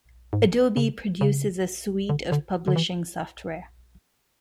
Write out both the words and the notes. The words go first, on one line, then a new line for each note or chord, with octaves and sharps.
Adobe produces a suite of publishing software.
G#2
C#3
C#3
D3
D3
D3
E3